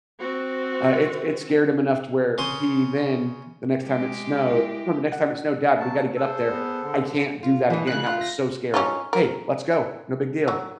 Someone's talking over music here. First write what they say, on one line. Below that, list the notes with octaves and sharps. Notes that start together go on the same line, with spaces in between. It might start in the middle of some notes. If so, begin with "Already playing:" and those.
uh, it s it scared him enough to where he then, the next time it snowed no, the next time it snowed, "Dad, we gotta get up there. I can't do that again, that was so scary." "Hey, let's go, no big deal."
C4 F#4
C#3 C6 D#6
G#3 G4
E4
F#5
F#3 A5
G#4 A4 C5
B3
D3
F4
B2 E3 D#4
C#3 F3 F#6
A3 F4
A#6
C#4 D#4 F4
A#4
F#3